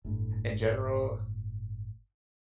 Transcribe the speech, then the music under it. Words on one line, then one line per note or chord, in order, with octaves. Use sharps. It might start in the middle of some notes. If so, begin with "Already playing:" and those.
in general."
G1 A2